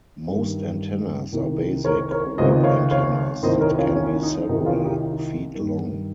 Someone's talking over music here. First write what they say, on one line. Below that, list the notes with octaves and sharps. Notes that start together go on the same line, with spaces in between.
Most antennas are basic "whip" antennas that can be several feet long.
G2 D#3
C2 C3 D#3
A#4 C#5
A#4 C#5
C#2 C3 D#3 C5 D#5
C#5 F5
C#5 F5
C2 C3 D#3 C5 D#5
A#4 C#5
C#4 F4
C#4
D#4
C2 C3 D#3 D#4
C#4 F4
D#4 G4
D#4
G2 D#3